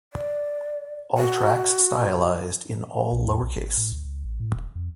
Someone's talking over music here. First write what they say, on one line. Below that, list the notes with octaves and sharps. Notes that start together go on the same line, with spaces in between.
All tracks stylized in all lowercase.
D5
F#4
B1
E2
B1
G#1
A2
D2
C#2
A1
A2
E1
F2